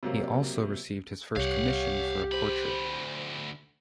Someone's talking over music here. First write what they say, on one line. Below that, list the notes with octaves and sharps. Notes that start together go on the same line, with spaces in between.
He also received his first commission for a portrait.
C3 F#3 A#3
C2 G4 C#5 F5 F#5
D2 C5 B5